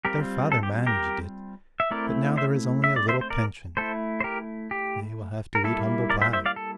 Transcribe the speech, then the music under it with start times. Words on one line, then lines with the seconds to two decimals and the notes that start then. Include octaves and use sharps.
Their father managed it, but now there is only a little pension. They will have to eat humble pie.
0.05 G3 C4 F4 G4 A#4
0.52 A4
0.63 G4
0.87 G4 A#4
1.80 E5
1.91 A3 C4 E4 A#4 D5
2.37 C5 E5
2.84 E5
2.96 D5
3.08 C5 E5
3.21 C5
3.30 A#4 D5
3.77 A3 E4 A4 C5
4.20 C5
4.24 G4 A#4
4.71 G4
5.55 A#4
5.64 G3 A#3 E4 A4
6.10 A#4 D5
6.22 C5 E5
6.33 C5 E5
6.46 D5 F5
6.56 A4